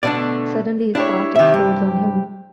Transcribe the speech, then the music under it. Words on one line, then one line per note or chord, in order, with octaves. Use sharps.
Suddenly his past explodes on him.
B2 D3 A3 D4 D5
D4 E4 G4 C#5
C3 D#3 G4 E5
G2